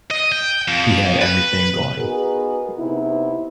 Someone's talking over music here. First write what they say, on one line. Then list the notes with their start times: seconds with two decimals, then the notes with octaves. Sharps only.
He had everything going.
0.11 D#5
0.32 G5
0.68 F2
1.21 B4
1.98 B3 D#4 F#4 G#4 A#4
2.78 C3 B3 D#4 E4